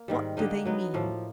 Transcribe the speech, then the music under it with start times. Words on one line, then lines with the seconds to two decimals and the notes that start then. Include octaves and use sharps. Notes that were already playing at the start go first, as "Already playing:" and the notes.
What do they mean?
Already playing: A#3
0.08 G#2 D#3 G3
0.37 D3 G3 A#3 D#4
0.65 F#3 B3 D#4
0.94 A2 F3 A#3